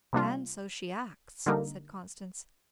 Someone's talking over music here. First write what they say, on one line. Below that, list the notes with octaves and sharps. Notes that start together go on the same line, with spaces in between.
"And so she acts," said Constance.
C3 G3 A#3 D4 F4
D3 G3 A#3 D#4 A#4